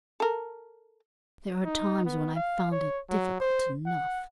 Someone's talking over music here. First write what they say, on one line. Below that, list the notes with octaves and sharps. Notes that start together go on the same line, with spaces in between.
"There are times when I've found it difficult enough."
A4 A#4
D#4
B3
F5
C#5
F#3
C5
F#5